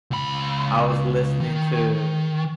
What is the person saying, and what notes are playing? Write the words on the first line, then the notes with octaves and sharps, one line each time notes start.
I was listening to
C#2 B5
D#3